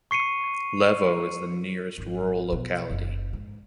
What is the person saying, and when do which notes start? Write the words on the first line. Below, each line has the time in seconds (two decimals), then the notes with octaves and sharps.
Levo is the nearest rural locality.
0.11 C#6 C7 C#7 D#7
1.98 G#1
2.52 B2
2.90 F#1
3.33 G#2